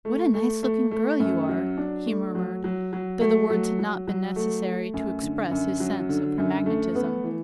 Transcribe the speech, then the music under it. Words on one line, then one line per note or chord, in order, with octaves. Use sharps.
"What a nice-looking girl you are!" he murmured, though the words had not been necessary to express his sense of her magnetism.
A3
A3
A3
A3
F#2
F#3
D4
A3
F#3
F#3
F#3
A3
F#3
F#3
F#3
A3
A3
F#2
D3
F#2
F#3
D3
F#2
A3
B3
E3